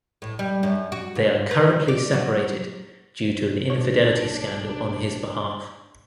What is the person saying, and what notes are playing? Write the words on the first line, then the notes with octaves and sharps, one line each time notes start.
They are currently separated due to an infidelity scandal on his behalf.
A2
G3
F#2
F#4
G#2
B4
D5
F#3
B1 D4 C#5